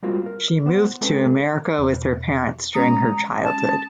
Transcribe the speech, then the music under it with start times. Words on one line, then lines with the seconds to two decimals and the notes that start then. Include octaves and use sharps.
She moved to America with her parents during her childhood.
0.03 G3 G#3 A#3 C4 F4 F#4
0.26 A#4
0.66 B3 C5 F#5
1.01 G#3 C4 C#4 A4 B4
1.78 E2 B2
2.75 G#3 C#4 A#5 D#6
3.43 A5